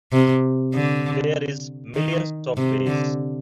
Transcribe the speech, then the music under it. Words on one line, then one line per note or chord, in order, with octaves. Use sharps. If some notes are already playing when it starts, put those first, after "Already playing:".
There's millions of ways.
C3
D3
D#3
C3
D3